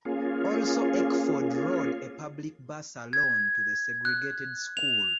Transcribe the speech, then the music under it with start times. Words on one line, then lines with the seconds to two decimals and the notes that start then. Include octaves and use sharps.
Also, Eckford rode a public bus alone to the segregated school.
0.05 A#3 C#4 F4 G#4
3.13 G#6
4.05 F#6
4.77 F7